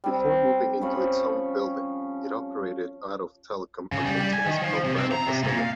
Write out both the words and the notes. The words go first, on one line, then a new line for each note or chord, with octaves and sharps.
Before moving into its own building it operated out of Telecom Argentina's Belgrano facility.
G3 C4
F3 C#4 C#5 B5
C#3
G3
G3
G#5
D#3
F3
C3
C4
A#5
C3
A#2
F5